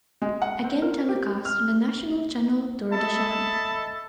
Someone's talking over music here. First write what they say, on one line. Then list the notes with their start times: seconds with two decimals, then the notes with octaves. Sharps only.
Again telecast on the national channel Doordarshan.
0.22 G#3
0.42 F#5
0.64 C4
0.82 A#4
1.09 G4
1.45 F6
2.91 A4 D#5 E5 A5 B5